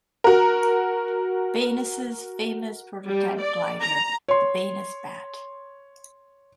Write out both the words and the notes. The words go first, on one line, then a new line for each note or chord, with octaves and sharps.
Baynes's famous prototype glider, the Baynes Bat.
F#4 A#4
G3
D5
A#5
C#5 C6